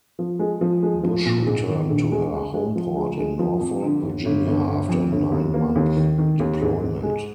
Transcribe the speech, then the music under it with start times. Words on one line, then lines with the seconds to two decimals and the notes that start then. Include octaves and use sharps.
Bush returned to her homeport in Norfolk, Virginia after a nine-month deployment.
0.19 F3
0.39 G#3
0.61 F3
0.83 G#3
1.03 F3
1.25 A#2
1.46 G#2
1.68 D#3
1.89 A#1
2.12 G#3
2.33 G#3
2.54 G#3
2.76 F3
2.96 G#3
3.18 G#3
3.39 F3
3.60 F2
3.82 D3
4.03 G1
4.25 G1
4.47 G1
4.67 G1
4.89 F2
5.11 G1
5.32 D#2
5.54 A#3
5.75 D#2
5.97 D#3
6.18 D#3
6.39 D#2
6.61 G#2
6.82 G#2
7.03 G#3